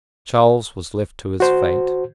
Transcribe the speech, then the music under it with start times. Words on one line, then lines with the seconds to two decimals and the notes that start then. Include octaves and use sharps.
Charles was left to his fate.
1.40 F#4 C5